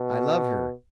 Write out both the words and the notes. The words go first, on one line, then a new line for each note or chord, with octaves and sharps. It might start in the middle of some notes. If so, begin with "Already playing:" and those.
I love her.
Already playing: B2